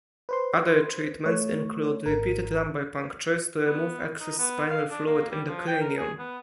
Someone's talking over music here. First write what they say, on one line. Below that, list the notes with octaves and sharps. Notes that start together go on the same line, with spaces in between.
Other treatments include repeated lumbar punctures to remove excess spinal fluid in the cranium.
B4 C5 C6
A3 C#5
G#1 A#4
B3
D#4
B3
F5
D4
A#3
G3
F3
G5
A#4
G#4
B3